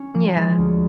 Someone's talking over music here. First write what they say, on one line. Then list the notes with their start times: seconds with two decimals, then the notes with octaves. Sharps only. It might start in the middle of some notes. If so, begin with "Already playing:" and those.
Mm, yeah.
Already playing: C#4
0.15 F3
0.36 G#3
0.58 D2